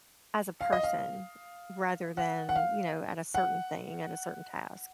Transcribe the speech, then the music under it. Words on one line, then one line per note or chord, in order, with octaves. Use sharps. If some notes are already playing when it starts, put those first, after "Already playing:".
as a person rather than, you know, at a certain thing, at a certain task.
F5
D#5
F5
F#5
F#5
F5
F#5